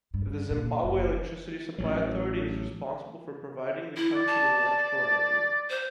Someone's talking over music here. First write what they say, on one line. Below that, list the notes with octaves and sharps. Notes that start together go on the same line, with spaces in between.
The Zimbabwe Electricity Supply Authority is responsible for providing the country with electrical energy.
G2
A#2
F#1
C#4
A1 F#3
E4
D5
A5
C5